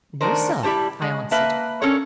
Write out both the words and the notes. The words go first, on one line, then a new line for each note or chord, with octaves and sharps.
"No, sir," I answered.
D#3 A3 D4 A#4 C5
G3 E4 G4 C5 A5
G#3
A#3 B4 E5 A5
C#4 D4 A4 A#4 C#5